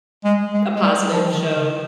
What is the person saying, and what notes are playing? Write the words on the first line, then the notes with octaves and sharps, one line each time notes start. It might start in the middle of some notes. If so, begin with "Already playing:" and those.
a positive show.
G#3
G#3
G#3
G3
F3
D#3
C#3